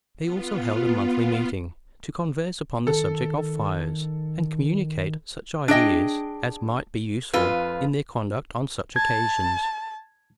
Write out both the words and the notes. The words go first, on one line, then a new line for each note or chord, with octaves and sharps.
They also held a monthly meeting, to converse upon the subject of fires, and communicate such ideas as might be useful in their conduct on such occasions.
B3 F4
D#3 A4
D4 G#4 D#5 G5
F2 F4 B4
A5 G#6